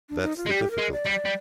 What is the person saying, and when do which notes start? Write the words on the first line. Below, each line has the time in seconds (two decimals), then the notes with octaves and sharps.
That's the difficulty.
0.10 D4
0.23 D#4
0.37 F4
0.46 G#3
0.50 G3 G4
0.71 A#4
0.78 G#3
0.92 D5
1.06 G3
1.12 D5
1.25 G3